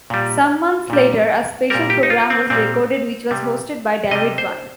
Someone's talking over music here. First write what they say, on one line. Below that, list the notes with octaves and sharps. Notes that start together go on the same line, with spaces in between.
Some months later, a special programme was recorded which was hosted by David Vine.
A#2 G3
A#2 G3
A#2 G3 A#4
G4
D#4
F4
C4
A#2 G3 C4
C3 G3
C3 G3 D#5
C5